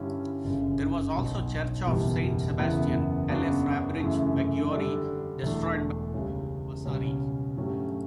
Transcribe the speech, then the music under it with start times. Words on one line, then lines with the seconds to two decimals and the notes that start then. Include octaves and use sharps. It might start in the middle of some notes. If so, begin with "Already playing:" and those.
There was also the church of Saint Sebastian "alle Fabbriche Maggiori", destroyed by Vasari.
Already playing: G2 D3 G3 C#4 E4
0.44 G1 F#2 C#3
1.15 B1 B2 F#3
1.87 F#1 E2 B2 G3 B3
2.58 F#1 E2 C#3 E3 B3
3.29 F#2 C#3 F#3 B3 D4
4.00 F#2 C#3 E3 A3
4.71 D3 G3 D4 A4 D5
5.43 E1 E2 D3 A3 D4
6.14 C#2 C#3 G3 C#4
6.85 C#2 B2 G3 C#4
7.57 G2 F#3 A3 C#4 G4